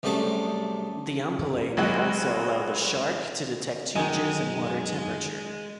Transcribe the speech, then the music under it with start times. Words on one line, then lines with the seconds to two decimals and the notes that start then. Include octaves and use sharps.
The ampullae may also allow the shark to detect changes in water temperature.
0.03 C2 F#2 C3 A3 G#4 A5
1.77 G#1 F#3 G#3 F#4
3.95 F#2 D#3 G#3 D#5 G#5